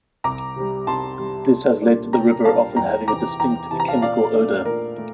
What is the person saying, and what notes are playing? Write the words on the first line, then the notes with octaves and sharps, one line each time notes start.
This has led to the river often having a distinct "chemical odour".
C2 A#5 D6
C3 G3
C2 A5 C6
C3 G3
C2
A#2 G3 A#3 D4
C2 G5 A#5
A#2 G3 A#3 D4 F5 A5
E2 G5 A#5
C3 E3 A#5 D6
E2 G5 A#5
C3 E3 A5
A#5
F5 A5
A#2 D5 F5
A3 D4
A#2 A#4
A3